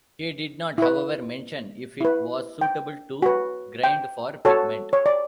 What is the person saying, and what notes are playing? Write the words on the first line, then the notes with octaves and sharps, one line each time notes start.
He did not, however, mention if it was suitable to grind for a pigment.
E4 B4
E4 B4
G5
F#4 B4
G5
F#4 A4 C#5
C#5
D5